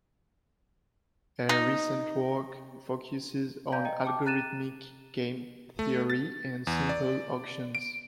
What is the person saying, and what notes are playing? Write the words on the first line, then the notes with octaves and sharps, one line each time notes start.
Her recent work focuses on algorithmic game theory and simple auctions.
D#4
D5 F5 G#5 A#5 G6
D#5 G5 A#5
G5 A5 D6
A#5 F#6 A6 D#7 E7
A3
A6
E2
D5
D7